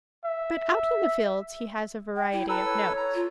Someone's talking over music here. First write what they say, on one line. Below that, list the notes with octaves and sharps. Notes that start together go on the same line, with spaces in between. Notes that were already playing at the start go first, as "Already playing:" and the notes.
But out in the fields he has a variety of notes.
E5
G5
E4
A4 B4 A#5 E6
C#5
A#5
F4